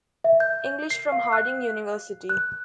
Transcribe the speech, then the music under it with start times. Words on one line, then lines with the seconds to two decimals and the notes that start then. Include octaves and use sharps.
English from Harding University.
0.24 E5
0.40 G6
0.91 C7
1.12 F5
1.33 F#6
2.29 F#6